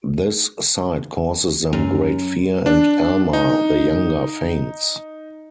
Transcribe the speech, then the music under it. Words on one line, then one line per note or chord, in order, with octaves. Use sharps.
This sight causes them great fear and Alma the Younger faints.
F#2
D4
D#4